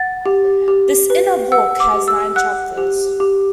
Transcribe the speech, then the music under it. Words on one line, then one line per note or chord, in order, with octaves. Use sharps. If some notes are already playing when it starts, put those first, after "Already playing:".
This "inner" book has nine chapters.
Already playing: F#5 A6
G4
G4
B4
F#5 E6
D6
G4
E6
F#5 F#6
G4
G4